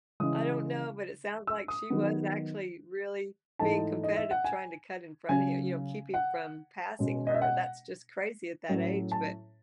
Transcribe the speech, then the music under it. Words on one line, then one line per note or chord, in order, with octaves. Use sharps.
I don't know, but it sounds like she was actually really being competitive trying to cut in front of hi you know, keeping from passing her. That's just crazy at that age, but
C#3 E3 G#3 D#6
E6
D#6
D#3 F#3 B3 D#4
G#2 E3 A3 D#4 A5
D#5
E5
F#5
G#5
C#3 F#3 C#4 G#5
F#5
B2 G#3 C#4
D#5
E5
F#5
A2 F#3 C#4
A5